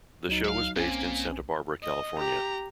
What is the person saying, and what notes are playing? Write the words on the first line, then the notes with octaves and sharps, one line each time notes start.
The show was based in Santa Barbara, California.
C#2 F#3 D#4
E5 F5
B1 A#2 C4 C#4 G#5
D#5
G4 A#5